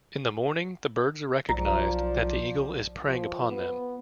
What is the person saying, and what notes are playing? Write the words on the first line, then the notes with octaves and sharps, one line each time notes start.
In the morning the birds recognized that the eagle is preying upon them.
B1 F3 D5 A#5
F3
B3